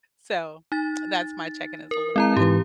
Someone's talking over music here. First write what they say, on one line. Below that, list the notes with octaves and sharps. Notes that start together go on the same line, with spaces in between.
So, that's my check-in is a little bit,
D#4 A6
A#4
G#3 C4 E4 A#5
G#2 E3 G4